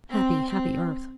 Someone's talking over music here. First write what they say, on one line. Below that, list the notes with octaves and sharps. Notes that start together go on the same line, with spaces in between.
Happy, happy earth!
C4
C4